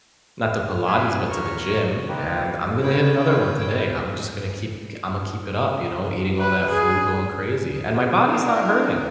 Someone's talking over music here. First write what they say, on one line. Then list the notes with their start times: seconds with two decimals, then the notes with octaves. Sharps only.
not to Pilates, but to the gym, and I'm gonna hit another one today. I'm just gonna keep, g Imma keep it up, you know, eating all that food, going crazy, and my body's not hurting.
0.73 F#2 B3 F6
0.87 B4 D5 E5 G#5 B5 C6
1.29 A#4 C#5 C#6 F6
2.09 A#3 C4 D#4 G4 B4
2.81 B4 C#5 G5
6.39 B4
6.70 G#4
7.95 G#4
8.26 D4 E4 A#4 D5